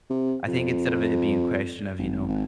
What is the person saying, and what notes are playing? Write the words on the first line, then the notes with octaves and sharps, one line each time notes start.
I think instead of it being a question of, you know
C3
F2
G#1
G#1